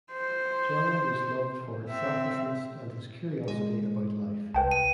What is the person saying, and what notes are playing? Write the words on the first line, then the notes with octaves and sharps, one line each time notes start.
Johnny was loved for his selflessness and his curiosity about life.
C5
C4 E5
G#3
C2 B4 G5 A5
D#7